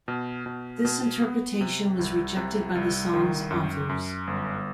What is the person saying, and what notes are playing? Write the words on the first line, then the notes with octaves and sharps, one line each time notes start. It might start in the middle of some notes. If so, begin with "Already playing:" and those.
This interpretation was rejected by the song's authors.
B2
B2
B2
B3
C3
C2
C3
C2
D#3
F#2
F#2
G1